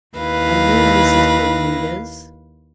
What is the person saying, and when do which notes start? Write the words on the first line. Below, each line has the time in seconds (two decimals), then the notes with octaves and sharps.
"Are you Mrs. Bermudez?"
0.17 D#2 E4 B4 F5 A#6